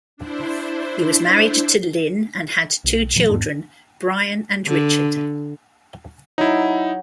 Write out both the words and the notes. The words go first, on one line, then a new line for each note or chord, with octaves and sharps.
He was married to Lynne and had two children, Bryan and Richard.
D4 E4 C5
B1
D#1 A#2 E3 F#3
E2 G#2 B3 D4
D3
F#3 D#4 E4